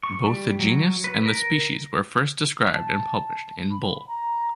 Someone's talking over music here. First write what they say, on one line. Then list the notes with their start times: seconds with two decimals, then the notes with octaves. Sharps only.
Both the genus and the species were first described and published in Bull.
0.03 C#6
0.26 G3
0.60 F#3
1.04 B4
1.26 A#4
2.74 A5
3.71 B5
4.08 A#5